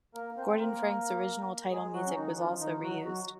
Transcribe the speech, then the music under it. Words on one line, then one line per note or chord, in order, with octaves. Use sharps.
Gordon Franks' original title music was also re-used.
A#3 A#4
C4 C5
C5
A#3 A#4
G#3 G#4
F#3 F#4
C#4
D#3 D#4
F3 F4
D#3 D#4
F#3 F#4
F#3 F#4